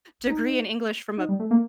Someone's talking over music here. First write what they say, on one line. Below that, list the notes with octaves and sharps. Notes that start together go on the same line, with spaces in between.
degree in English from a p
D#4
D#4
G3
A3
A#3